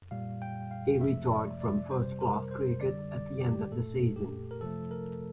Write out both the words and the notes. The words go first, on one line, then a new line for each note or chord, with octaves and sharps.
He retired from first-class cricket at the end of the season.
A#2 G3 F5
G5
F5
C3 F3 A3 E5
D5
D5
C3 G3 C5
A#4
C5
D3 G3 D5
D5
G4
A#2 A3 A4
G4
A#4
C3 F3 A3 A4
A#4